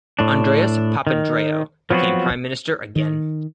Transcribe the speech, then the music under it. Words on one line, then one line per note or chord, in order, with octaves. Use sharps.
Andreas Papandreou became Prime Minister again.
A2 D4
D#3
F3 F#3 B3 C4 F#4
D#3